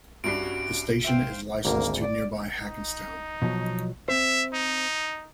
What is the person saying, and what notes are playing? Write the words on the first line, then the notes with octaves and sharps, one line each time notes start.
The station is licensed to nearby Hackettstown.
C2 G2 C#4 F#4 C7 D7
C5 E5 F5 G5
G#1 D2 A#3
D5
D#4
B2 F3 F#3
C4 C5 E5
D#4